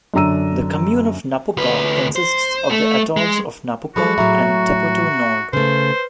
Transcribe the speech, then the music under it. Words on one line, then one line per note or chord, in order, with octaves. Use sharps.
The commune of Napuka consists of the atolls of Napuka and Tepoto Nord.
F#2 D3 D4 A#5 E6 D#7
D2 B4
C5
A3
G#3
F#3 G#3 F#4 G#4 A4 B5
A2 F#3 E5 A#5 C#6
C#3 A3 B4 C5